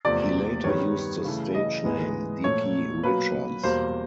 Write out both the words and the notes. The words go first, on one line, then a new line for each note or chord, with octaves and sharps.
He later used the stage name Deke Richards.
E2 C3 F3 A3 D5
G2 D#3 G3 B3 C#5
C#3 E3 A3
D#5
G#2 E3 G#3 B3
A#2 F3 A3 C#5
B2 F#3 A#3 B4
E2 B2 G3 A#3 C5